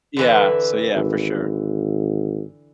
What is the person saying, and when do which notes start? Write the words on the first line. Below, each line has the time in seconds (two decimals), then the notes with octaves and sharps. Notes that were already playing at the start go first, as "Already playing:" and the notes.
Yeah, so, yeah, for sure.
0.17 D3 E3 B4
0.93 G#1